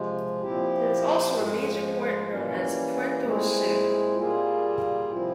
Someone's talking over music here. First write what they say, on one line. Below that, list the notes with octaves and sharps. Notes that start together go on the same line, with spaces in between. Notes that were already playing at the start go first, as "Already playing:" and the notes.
There is also a major port, known as Puerto Sherry.
Already playing: C3 F3 G#3
A#2 F3 C4 E4 G4
G#2 F3 G#3
E3 G3 A#3 C#4
A#2 G#3 C4 E4 G#4
A#2 G3 A#3 F4 G#4
C3 F3 C4 E4